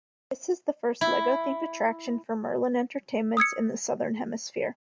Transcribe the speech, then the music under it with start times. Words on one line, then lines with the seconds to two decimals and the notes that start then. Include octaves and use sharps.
This is the first Lego themed attraction for Merlin Entertainments in the Southern Hemisphere.
1.01 E4
3.37 D#6 E6 G#6 C#7